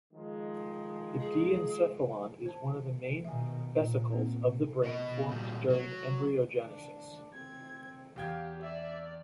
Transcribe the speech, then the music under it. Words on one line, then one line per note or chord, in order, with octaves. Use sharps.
The diencephalon is one of the main vesicles of the brain formed during embryogenesis.
D#3 F3 G#3
G#4
C5 A5
B2 D#3 E5 G#5
A#2
A#3 C4 C#4
B2 D#5
F#2 A#2 G3
F#3
D4
C4 G#6
E2 G4 F5 G5 G#6
D5 E5